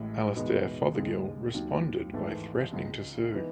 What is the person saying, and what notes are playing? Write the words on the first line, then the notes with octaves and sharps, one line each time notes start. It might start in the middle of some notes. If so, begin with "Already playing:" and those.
Alastair Fothergill responded by threatening to sue.
Already playing: A1 A2 G#3
E2 B2 G#3 B3 D#4
D#2 C#3 G#3
D#2 D#3 F#3
G#1 G#2 E3 A3
C#2 C#3 G#3
E3 B3 D#4